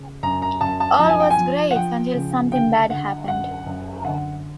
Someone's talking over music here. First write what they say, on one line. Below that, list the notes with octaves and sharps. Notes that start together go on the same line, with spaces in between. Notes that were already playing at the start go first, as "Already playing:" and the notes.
All was great until something bad happened.
Already playing: C#3
F#2 A#5
A#5
F#2 A5
A5
F3 A5
G#5
G5
G#5
F3
F#5
F3 G5
C#3
D3 G5
D3 F#5
F#2 F#5
F#2
D3 F#5